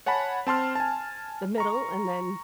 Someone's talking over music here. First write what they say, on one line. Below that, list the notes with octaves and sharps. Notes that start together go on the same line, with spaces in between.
the middle and then
C#5 F#5 G#5 A5 B5
C4 A5 C6 F6
G#5 A5
A#5 C#6